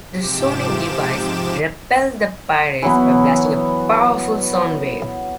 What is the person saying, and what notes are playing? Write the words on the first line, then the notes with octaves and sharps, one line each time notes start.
The sonic device repelled the pirates by blasting a powerful sound wave.
G#2 C3 F3 G4 D6 E7
E3 F#3 B3